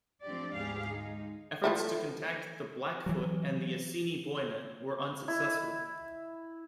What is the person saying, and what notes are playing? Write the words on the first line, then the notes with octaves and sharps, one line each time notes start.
Efforts to contact the Blackfoot and the Assiniboine were unsuccessful.
F3 A3 C4 D4 G4 D5
D2 G#2 B3 G4 G#4 F5
G#3 D#4
F3 A3 E4
E3 F#3
E4